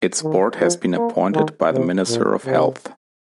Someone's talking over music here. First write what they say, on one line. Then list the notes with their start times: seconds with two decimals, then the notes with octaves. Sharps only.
Its board has been appointed by the Minister of Health.
0.22 D#3
0.59 F3
0.96 A#3
1.33 D#3
1.71 C3
2.08 A#2
2.45 C3